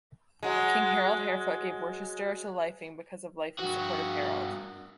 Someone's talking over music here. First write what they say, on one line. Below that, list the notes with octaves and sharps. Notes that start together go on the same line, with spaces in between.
King Harold Harefoot gave Worcester to Lyfing because of Lyfing's support of Harold.
F#3 G#3
G2 F#4